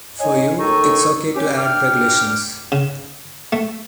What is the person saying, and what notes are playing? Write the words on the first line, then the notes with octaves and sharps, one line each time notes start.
For you, it’s ok to add regulations.
D#4 C#5 D#5 G#5
D#2 D#4 A4 C#5 C#6
C#4 G4
D4 G5 D6 F6
C#3
A3